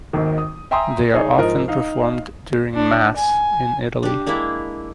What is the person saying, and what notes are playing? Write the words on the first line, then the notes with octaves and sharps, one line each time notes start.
They are often performed during Mass in Italy.
G#1 D#2 D#3
D#6
E5 G5 G#5 A#5 C6 D#6
D#4 G#4 C#5
G#2 F3 A#4 D#5
D#4 F5
D4
G#5
D4 G4
G#3 A#3 D4 E4